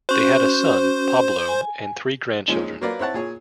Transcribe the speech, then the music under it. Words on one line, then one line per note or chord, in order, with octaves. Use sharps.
They had a son, Pablo, and three grandchildren.
C#4 F#4 C5
G#5
A#2 F3 G#3 C#4 D#4
F#3 A#3 F4 A#4 B4 D5
C4 E4 C#5 F#5 A5
A#2 G#4 C#5